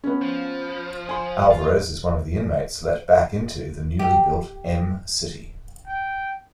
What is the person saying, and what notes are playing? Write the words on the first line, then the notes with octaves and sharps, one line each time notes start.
Alvarez is one of the inmates let back into the newly built Em City.
B3 C#4
F3
G#5 C6
F4
G4
G5